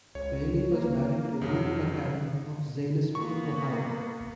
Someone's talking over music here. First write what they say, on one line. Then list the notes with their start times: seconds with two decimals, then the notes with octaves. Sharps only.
Bailey was married to Ruth McCaddon of Zanesville, Ohio.
0.15 C#2 C#5
0.72 A#3
1.42 C2 F2 C#3 F#3
3.15 A#3 B3 C#6